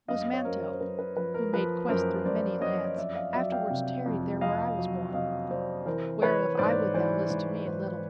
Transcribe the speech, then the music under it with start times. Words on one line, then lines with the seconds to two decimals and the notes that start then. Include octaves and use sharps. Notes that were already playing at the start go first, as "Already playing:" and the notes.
Was Manto, who made quest through many lands, Afterwards tarried there where I was born; Whereof I would thou list to me a little.
0.08 F#2 D#5 F5
0.34 C#5
0.45 F#2 A#4 C5
0.72 C5
0.80 F#2 B4
0.99 B4
1.16 F3 B4
1.34 A#4
1.53 F3 B4
1.89 F#2 A#4 C5
2.25 F#2 C5 D5
2.61 F#2 C#5 D#5
2.86 D#5
2.97 F2 D5 E5
3.15 D#5 F5
3.33 F#3 D5 E5
3.52 F5 G5
3.70 C3
4.06 F2
4.41 F2 D#5 F5
4.79 F#3
5.13 C3 D#5 F5
5.50 C3 C5 D5
5.86 E3 A#4 C5
6.22 E3 B4 C#5
6.58 G#2 C5 D5
6.94 E3 C5 D5
7.30 G#2
7.66 G#2 C5 D5